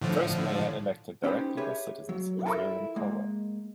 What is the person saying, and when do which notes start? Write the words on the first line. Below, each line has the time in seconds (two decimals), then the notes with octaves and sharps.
The first mayor elected directly by citizens was William Caldwell.
0.01 A2 D3 F3
1.23 C#4 D#4 G4 A4 B4 C5
1.57 G4 G#4 B4 C#5 E5
2.09 F#3
2.46 E4 F4 A4 A#4 E5
2.96 G#3 A#3